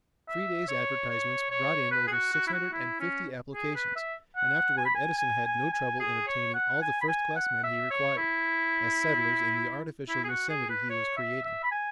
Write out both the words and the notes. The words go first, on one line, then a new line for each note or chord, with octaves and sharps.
Three days' advertisements brought in over six hundred and fifty applications, and afterward Edison had no trouble in obtaining all the first-class men he required, as settlers in the artificial Yosemite he was creating.
E5
C#5
C#5
C#5
B4
G#4
F#4
F#4
E4
F#4
E4
C#4
G#4
B4
E5
F#5
G#5
B5
G#5
G#5
G#5
G#5
G#4
C#5
F#5
G#5
B5
G#5
F#5
E5
C#5
E4
E4
G#4
F#4
G#4
B4
C#5
E5
E5
B5
G#5